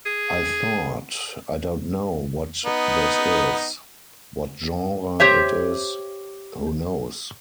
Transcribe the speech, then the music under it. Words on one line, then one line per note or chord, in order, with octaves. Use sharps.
I thought 'I don't know what this is-what genre it is-who knows?
G#4
B3 D#4
G4 C5 C#5 E5